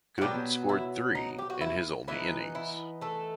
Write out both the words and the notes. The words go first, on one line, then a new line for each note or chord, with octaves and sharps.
Gooden scored three in his only innings.
F#4
B2 F#3 G3 B3 G4
E4
D#4
G4
F#4
E4
E3 B3 D#4 E4
E4
A3 A4